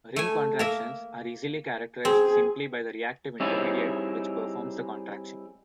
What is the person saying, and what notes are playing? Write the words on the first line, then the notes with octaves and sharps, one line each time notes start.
Ring contractions are easily characterized simply by the reactive intermediate which performs the contraction.
A3 G#5
A#3 A#4 E5
C4 G#4
G3 C4 D#4 E4 G#4 C#5